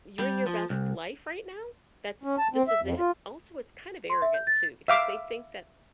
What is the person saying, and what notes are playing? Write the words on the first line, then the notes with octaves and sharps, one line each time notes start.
you're in your best life right now? That's this is it?” Also, it's kind of arrogant, too, because they think that
G3
F3
C2
C#4
A5
C4
E5
F2
F4
C6
E5
G6
A6
E5 F5 D6